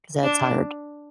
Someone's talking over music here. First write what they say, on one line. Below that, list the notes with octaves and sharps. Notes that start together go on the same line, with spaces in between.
‘cause that's hard.
D4